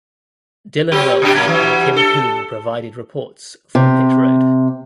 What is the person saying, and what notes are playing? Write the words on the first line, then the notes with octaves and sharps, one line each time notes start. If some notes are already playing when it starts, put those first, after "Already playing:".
Dillon Welch and Kim Coon provided reports from pit road.
F#3 C4 G4
B2 D4 G4
A#2 F#3 A#3
E3 F#3 G3
D4 A4
C3